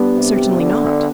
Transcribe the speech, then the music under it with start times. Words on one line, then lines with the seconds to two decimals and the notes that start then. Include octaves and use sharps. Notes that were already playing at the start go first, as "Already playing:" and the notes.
"Certainly not."
Already playing: G3 B3 D4 G4
0.15 C3
0.60 D3